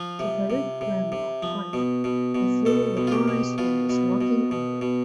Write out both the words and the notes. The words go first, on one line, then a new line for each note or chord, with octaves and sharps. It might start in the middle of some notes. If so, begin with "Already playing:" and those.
The parikrama path is through the forest and is walking only.
Already playing: F3 F4
C3
C3
C3
C3
F3
B2
B2
B2
B2 A4
B2
F4
G4
B2
B2 F4
B2
B2
B2
B2